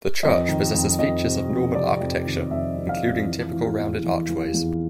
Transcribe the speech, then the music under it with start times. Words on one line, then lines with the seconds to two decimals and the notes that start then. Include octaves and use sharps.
The church possesses features of Norman architecture, including typical rounded archways.
0.23 F2 D#5
0.49 D#3
0.74 F2
0.99 F2 D#5
1.24 C3
1.50 F2
1.75 C3 D5
2.01 F2
2.26 D#3
2.51 F2 E5
2.77 F2
2.89 F5
3.02 F2
3.27 E3
3.52 E3
3.78 E2
4.04 E3
4.29 E3
4.54 E2